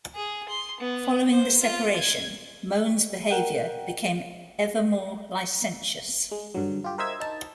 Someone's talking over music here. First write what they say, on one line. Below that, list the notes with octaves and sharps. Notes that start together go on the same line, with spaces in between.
Following the separation, Mohun's behaviour became ever more licentious.
G#4
C6
B3
C5
F4
G#6
A#4 F#5 G5
G#3
G2 D3 F#3
F4 G4
A#4 C5 D#5 E5 E6 G#6
D#4 A5